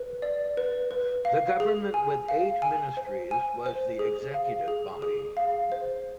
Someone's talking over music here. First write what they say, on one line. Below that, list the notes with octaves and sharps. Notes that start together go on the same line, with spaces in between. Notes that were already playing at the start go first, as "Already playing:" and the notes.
The government with eight ministries was the executive body.
Already playing: B4
D5
B4
B4
F5
G#4
G#5
F5
G#5
C5
G#5
C5
G#4
F5
G#4
G#4
F5
C5